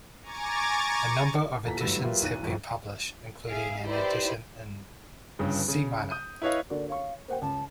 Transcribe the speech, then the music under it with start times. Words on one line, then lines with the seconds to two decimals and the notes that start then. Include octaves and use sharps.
A number of editions have been published, including an edition in C minor.
0.21 G#5 A#5 C#6 D6 G#6 A6
1.65 D#1 E2 A4 A#5 B6
1.81 G1 G#2 F#3 G3 B4 E6
2.02 F#3 A#3 F4 G4 B4 E5
2.22 B1 E2 D#3 F#6 D#7
2.43 G1 C2 F2
3.47 G#4 E5 F5
3.84 D#4 E4 G4 B4 C5 D5
5.39 G1 G2 C#3
5.68 C#3
6.11 D#6 G6 D#7
6.42 E4 B4 C#5 D#5 F5
6.70 D3 A#3 F#4 D5
6.89 C#5 F5 C#6
7.28 A#3 C5 F#5 G5
7.42 C#2 A5